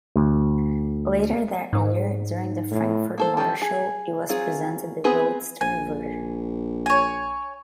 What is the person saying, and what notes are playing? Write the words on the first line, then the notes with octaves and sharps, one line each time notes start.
Later that year, during the Frankfurt Motorshow it was presented the roadster version.
D2
G#2
A2
A#3 A4 C5
F3 C#4 G4 A4
G#4
F#3 C4 F4 G#4
B3 C4 G#4 B4
A#1 G#5
C#5 G#5